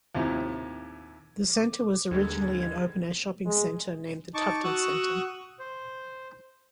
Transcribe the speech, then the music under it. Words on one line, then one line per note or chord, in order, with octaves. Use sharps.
The centre was originally an open-air shopping area named The Tufton Centre.
D#2 A2 C3 F3
D6
D#2 D3 G3 G#3 G#6
G#3
D#4 A5 C#6 D6
F#4 C#6 D#6 E6 F#6
C5